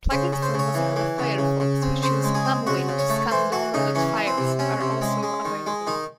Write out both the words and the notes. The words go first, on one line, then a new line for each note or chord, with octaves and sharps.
Plugins for Mozilla Firefox which use ClamWin to scan downloaded files are also available.
C#3 C5
C#3
C5
C#3
C#5
E3
E3
C#3
C#3
C#3
C4
C#3 C5
G#3
G#4
C4
C#3 F#4
C#3
C#5
A3
E3 C5
E3 F#4
C#3 D#4
E3 C#4
E3
C4
C3
C4 C#4
C3
G#3
G#3
D#3
G#3
D#3 D#4